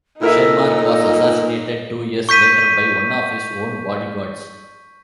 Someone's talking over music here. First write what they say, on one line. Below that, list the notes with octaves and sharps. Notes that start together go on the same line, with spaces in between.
Shermarke was assassinated two years later by one of his own bodyguards.
A#2 D#4 E4 A4 A#4 E5
C#6 G6 B6 D#7